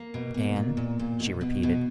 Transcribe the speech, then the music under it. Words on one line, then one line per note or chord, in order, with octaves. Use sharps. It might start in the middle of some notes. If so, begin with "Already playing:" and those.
"Dan?" she repeated.
Already playing: A#3
B2
B2
A#2
A#2
A#2
B2
B2
B2